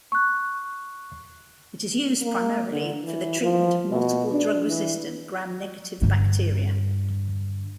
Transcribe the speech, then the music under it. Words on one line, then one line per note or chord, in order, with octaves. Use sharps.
It is used primarily for the treatment of multiple drug-resistant, Gram-negative bacteria.
C#6 F#6
A#3
D3
E3
F3
B2
D4
E3
G2 D3